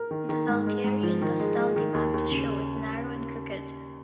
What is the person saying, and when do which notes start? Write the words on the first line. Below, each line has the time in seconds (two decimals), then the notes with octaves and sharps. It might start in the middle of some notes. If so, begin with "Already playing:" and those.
The Zaltieri and Gastaldi maps show it narrow and crooked.
Already playing: A#4
0.11 D#3
0.29 D#3
0.49 G#2
0.67 G#3
0.84 G#2
1.03 F3
1.22 D#3
1.40 G#3
1.59 G#3
1.76 D#3
1.94 D#2
2.14 D#2
2.31 C#3